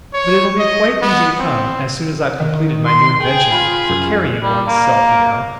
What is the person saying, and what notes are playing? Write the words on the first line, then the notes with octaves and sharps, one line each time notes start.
But it'll be quite easy to come, as soon as I've completed my new invention--for carrying one's-self, you know.
C#5
D#5
B3
C4
D#3
C6
G#4 G5
F4 B5
F#2
G3
A#3